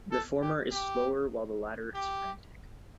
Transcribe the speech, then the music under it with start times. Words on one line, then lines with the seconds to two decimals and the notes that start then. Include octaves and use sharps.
The former is slower while the latter is frantic.
0.11 A4
0.42 G4
0.71 G4
1.94 G4